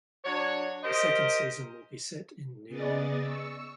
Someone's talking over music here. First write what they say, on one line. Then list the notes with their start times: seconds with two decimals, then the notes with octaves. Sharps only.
The second season will be set in Neom.
0.24 F#3 D4 C#5
0.83 G4 A#4 C5 D#5
2.68 C#3 B3 G#4 D5 D#5 A6
3.20 C#6 E6